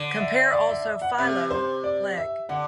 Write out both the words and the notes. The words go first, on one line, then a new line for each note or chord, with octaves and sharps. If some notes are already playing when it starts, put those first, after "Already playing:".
Compare also Philo, Leg.
Already playing: D3
E5
D5
E5
E5
F#5
C3 E5
C5
D5
E5
D3 F#5